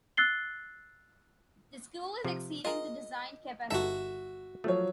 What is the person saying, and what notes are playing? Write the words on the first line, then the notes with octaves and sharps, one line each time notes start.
The school is exceeding the designed capacity.
E6 F#6 A6 C7 G7
C3 F3
F4 G#4 A#4 D#5
G1 D#4 F#4 A4 E5
F3 F#3 A3 C#5